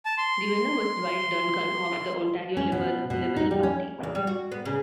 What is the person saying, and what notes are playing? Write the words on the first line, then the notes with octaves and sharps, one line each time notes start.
The winner was Dwight Duncan of the Ontario Liberal Party.
A5
C6
C#4
B2
B2
D#4
G3
C#4
E2
G3
F#4
B3
C#3